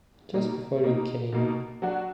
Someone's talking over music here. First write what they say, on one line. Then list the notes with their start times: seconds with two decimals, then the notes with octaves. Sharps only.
Just before you came.
0.34 B2 A#3 D#4
0.83 B2 A#3 D#4
1.32 B2 A#3 D#4
1.82 F#3 D4 F#4